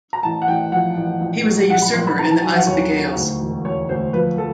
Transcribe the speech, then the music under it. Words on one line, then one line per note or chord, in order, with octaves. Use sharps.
He was a usurper in the eyes of the Gaels.
A#5
A1 A5
F#5
A1 G5
F3 F#5
A1
A#1
F#3
A#1 F#5
B5
A#1 C6
B5
D#3 A#5
A5
F#3 G#5
F#5
D#2 C#5
D#3
D2
E1
E1 C#5
D2 C5
F3 B4
F3 A4